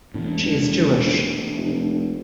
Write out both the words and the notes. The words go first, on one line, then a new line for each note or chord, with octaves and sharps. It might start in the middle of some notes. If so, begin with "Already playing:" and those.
She is Jewish.
E1 A2 E3 A3 A#3 D4
F1